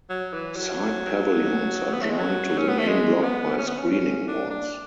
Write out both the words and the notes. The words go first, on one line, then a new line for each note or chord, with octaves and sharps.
Side pavilions are joined to the main block by screening walls.
F#3
E3
F#3
B3
A3
G#3
F#3
C#4
B3
A3
G#3
B3
C#4
B3
C#4
C#4
D4
D4